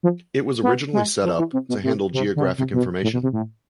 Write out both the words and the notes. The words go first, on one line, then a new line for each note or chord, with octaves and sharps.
It was originally set up to handle geographic information.
F3
B3
G#3
F3
E3
C3
B2
C3
C3
D3
C3
C3
B2
A2
B2
C3
A2